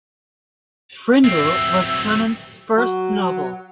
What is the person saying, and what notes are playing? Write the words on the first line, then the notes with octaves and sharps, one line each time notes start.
"Frindle" was Clements's first novel.
F#3 C4 E5
F#3